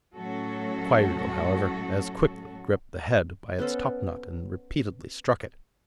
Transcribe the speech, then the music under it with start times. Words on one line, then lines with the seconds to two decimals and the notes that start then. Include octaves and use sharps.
Kwairyo, however, as quickly gripped the head by its topknot, and repeatedly struck it.
0.15 A2 F#3 A3 C#4 F#4 A4
3.59 B3 C#4 A4 C5